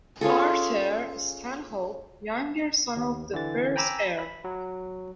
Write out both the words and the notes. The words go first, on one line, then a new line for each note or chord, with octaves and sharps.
Arthur Stanhope, younger son of the first Earl.
C#4 F4 G#4 A4
D#2
D3 E3 A6
G5 G#5 A#5 B5 D6 E6
B5
F#3